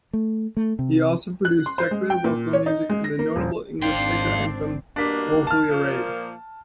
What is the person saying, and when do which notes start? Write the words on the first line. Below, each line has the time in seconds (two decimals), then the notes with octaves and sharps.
He also produced secular vocal music and the notable English sacred anthem "Woefully arrayed".
0.13 A3
0.57 A3
0.79 C3
1.45 F#6
1.66 C6
1.78 C5
1.91 G#3
2.10 G5
2.24 A#2
2.53 C#5
2.66 D#4
2.90 G#3
3.04 A#6
3.19 A#3
3.36 D#1
3.82 G#1 C4 D4 F5 G5 C6
4.96 G2 B2 A#3 D4 B6
5.47 A5 F6
5.70 A#2 F3 A#3